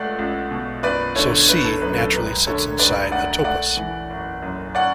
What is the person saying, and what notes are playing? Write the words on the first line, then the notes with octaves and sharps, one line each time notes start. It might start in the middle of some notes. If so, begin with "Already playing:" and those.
So "C" naturally sits inside a topos.
Already playing: C#2 A3 D5 F#5
C#2
B2
F#1 B4 D5
D3 A4 C#5
F#1 B4
A4
F#2 B4
A4
E1 B4
D3 A4 C#5
E1 B4 D5
D2 D5 F#5
A3 D5 F#5
E3
F#1
F#2
C#4 D5 F#5